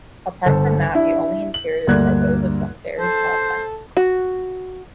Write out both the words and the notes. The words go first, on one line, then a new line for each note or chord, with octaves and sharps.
Apart from that, the only interiors are those of some very small tents.
G1 A4 C5
D4 E4 G4
F#7
D2 G2 A#3 D5 F#6 G#6
A4 C5
F#4